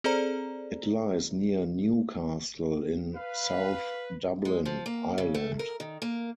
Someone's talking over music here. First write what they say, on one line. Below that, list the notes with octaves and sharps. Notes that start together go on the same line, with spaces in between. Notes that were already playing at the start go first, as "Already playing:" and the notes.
It lies near Newcastle, in South Dublin, Ireland.
C4 G#4 A4 C5 D5 A#5
B4 F5
G#3
F3
A#3
C#3
A3
A#4
D#3
A#3